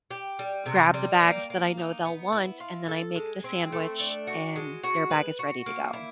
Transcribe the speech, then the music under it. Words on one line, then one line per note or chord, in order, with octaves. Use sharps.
grab the bags that I know they'll want, and then I make the sandwich, and their bag is ready to go.
G4
G3
C3
G3
A#3
A#3
D#4
B3
E4
F4
A4
G#3
C4
A3
D4
F#4
G#3
F#4
B4
F#4
A#3
E4